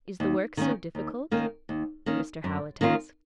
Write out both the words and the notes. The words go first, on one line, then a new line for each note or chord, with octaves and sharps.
"Is the work so difficult?" Mr. Howitt asked.
D#2
D#3 A#3 C#4
D#2
D#3 A#3 C#4
D#2
D#3 A#3 C#4
F#2
D#3 A#3 C#4 F4